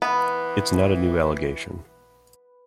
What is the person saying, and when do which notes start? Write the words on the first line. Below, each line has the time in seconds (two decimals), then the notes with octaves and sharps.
It's not a new allegation.
0.02 E3 B3 B4